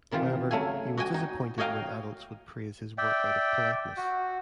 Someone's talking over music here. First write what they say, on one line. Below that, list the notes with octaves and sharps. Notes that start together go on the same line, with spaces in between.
However, he was disappointed when adults would praise his work out of politeness.
C3 D#3 E3 F4
C#3 F#3 A3 F5 G#5
F#4 D#5 G5 G#5
D#4
F#4 C#5 D#5 F5 G5 A#5
D5 E5 G5
F#4